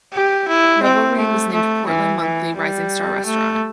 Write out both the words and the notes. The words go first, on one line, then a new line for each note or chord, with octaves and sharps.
Revelry was named "Portland Monthly" "rising star restaurant".
G4
E4
C4
A3
A3
E3
E3
G3
A3